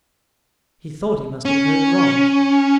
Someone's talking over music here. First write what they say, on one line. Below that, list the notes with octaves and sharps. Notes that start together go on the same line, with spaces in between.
He thought he must have heard wrong.
C#4